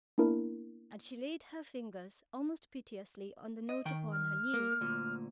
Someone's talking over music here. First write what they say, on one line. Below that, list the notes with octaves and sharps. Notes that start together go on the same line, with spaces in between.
And she laid her fingers almost piteously on the note upon her knee.
A#3 B3 D4 E4 A#4
D#5
D#3 G5
F6
A#3
D2 A#2